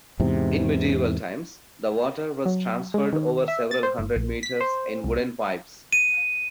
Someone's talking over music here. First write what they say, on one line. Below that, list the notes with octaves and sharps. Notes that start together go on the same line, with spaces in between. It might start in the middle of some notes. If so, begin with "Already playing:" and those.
In medieval times, the water was transferred over several hundred metres in wooden pipes.
E2 G#2 C3
F#3
G#3
D#3
E5
A6
C5
G1
A#1
B6
C5
C2
D#7